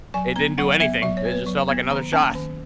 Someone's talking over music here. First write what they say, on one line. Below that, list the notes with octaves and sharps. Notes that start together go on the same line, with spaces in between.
it didn't do anything, it just felt like another shot.
F#3 G#5
B3 A#5
F#3 F#5
B3 E5
F#3 E5
C#5
B3
B4
F#3
B3
D#3 A#5
A#3 C#4 G#5
D#3